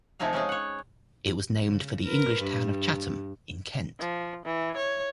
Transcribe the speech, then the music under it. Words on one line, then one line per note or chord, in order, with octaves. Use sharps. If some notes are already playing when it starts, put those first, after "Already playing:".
It was named for the English town of Chatham, in Kent.
C3 F3 A3 D#4 G#4 F5
G#3 C#4 D#4 G#4
C#5 F#5
C#3
A#4 B4
G2
F3
E3
C#5